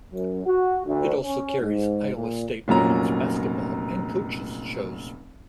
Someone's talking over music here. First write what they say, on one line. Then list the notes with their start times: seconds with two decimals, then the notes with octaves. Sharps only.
It also carries Iowa State women's basketball and coaches' shows.
0.12 F#2
0.44 F#4
0.86 D2
1.23 C#4
1.60 G#2
2.14 A#2
2.68 F1 A#2 F#3 C#4 A#5